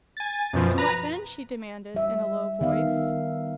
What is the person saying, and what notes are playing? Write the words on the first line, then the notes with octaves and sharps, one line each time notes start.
"And what then?" she demanded, in a low voice.
G#5 A6
F#2 B2 F3
B4 A#5
G3 E5
D#3 B3 E5 F5